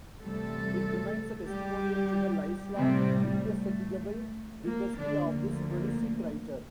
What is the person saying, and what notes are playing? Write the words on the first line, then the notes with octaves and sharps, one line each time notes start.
It remains a testimonial to the lifelong indefatigable industry of this prolific writer.
E2 C3 G3 A3 A4
G3 G4
A2 C3 G3 C4
A3
A#3
D3 D4
D2 D3 F3 A3 A#3